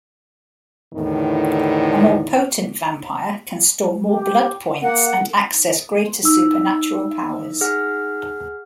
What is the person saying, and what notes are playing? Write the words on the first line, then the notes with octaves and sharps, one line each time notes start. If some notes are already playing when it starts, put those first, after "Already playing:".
A more Potent vampire can store more blood points and access greater supernatural powers.
E2 A2 D3 D#3
G4
A#3 F#5
D#4 E6
G#4 F#5 F6